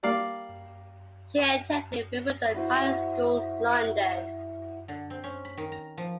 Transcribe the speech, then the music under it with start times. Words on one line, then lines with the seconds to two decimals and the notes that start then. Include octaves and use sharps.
She attended Wimbledon High School, London.
0.03 G3 A#3 D5 F5
2.54 E4 F#4 C5
4.88 D3
5.10 C4
5.24 C#4
5.45 B5
5.58 D#3
5.72 A#5
5.97 F3